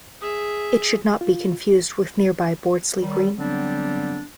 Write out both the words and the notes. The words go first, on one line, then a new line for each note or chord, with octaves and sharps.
It should not be confused with nearby Bordesley Green.
G#4 E5
F4
D#3 F#3 G3
D3 F#3 G3 B3 C4 D4